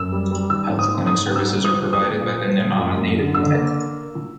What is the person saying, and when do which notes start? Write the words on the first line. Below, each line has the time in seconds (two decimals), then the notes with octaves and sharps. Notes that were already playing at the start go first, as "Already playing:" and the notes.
Health clinic services are provided by the Nenana Native Clinic.
Already playing: F#2 E6
0.12 G3
0.31 G3
0.50 D#3 E6
0.69 G#2
0.79 D#6
0.88 G#2
1.07 G#2 D#6
1.26 G#2
1.36 E6
1.45 G3
1.64 F3 D#6
1.83 F3
1.93 D#6
2.02 A#3
2.21 A#2
2.40 F3
2.58 A#2
2.78 F#2
2.97 F#2
3.16 D3
3.34 D3 E6
3.54 A#3